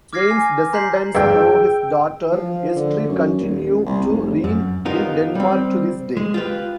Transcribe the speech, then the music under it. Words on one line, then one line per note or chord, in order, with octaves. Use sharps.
Sweyn's descendants through his daughter Estrid continue to reign in Denmark to this day.
D6 F6 G#6 A#6 C7
G#5
A#5 C6 G6 B6 C7 F#7
G2 G3 G#4 G5 E6
F3
D3
F#2
D#1
C2
F1
F#2
B3 D#4 F4 G4 A#4
G3 C4
G#3
F4 G4 B4